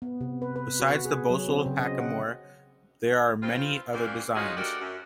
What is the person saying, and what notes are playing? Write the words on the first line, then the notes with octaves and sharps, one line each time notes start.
Besides the bosal hackamore, there are many other designs.
B3
C3
B4
B4
F#4
G#4
F#3
C4
C#3
D#5
F#5
D#3 G3 C4 F4
F#2 E3 G3 A#3 C4 F5
G#3 C#4 D#4 F4 F#4 G#4
D2 F#4 G4 A#4 D5
F#2